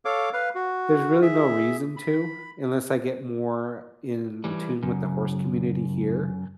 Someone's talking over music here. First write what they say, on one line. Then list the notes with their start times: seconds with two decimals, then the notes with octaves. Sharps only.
there's really no reason to, unless I get more in tune with the horse community here.
0.05 A4 C#5 F5 D6
0.33 B4 F5
0.55 F#4
1.22 G#4 E5
1.97 B5
4.44 E3 G3
4.83 F#2 C#3